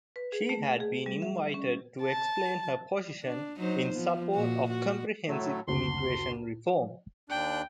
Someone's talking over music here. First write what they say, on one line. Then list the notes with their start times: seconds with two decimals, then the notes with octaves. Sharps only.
She had been invited to explain her position in support of comprehensive immigration reform.
0.16 B4
0.32 G#4
0.49 A3
0.80 G#4
1.06 G3
1.22 E5
1.54 C#4
2.03 A5
3.23 D4
3.58 F#3 D#4 C5
3.93 F3 B3
4.32 A#2 F#4
4.71 F#4
5.28 A2 F#3 A3
5.68 F#1 D2 C6
7.30 D#2 D4 G5 F#6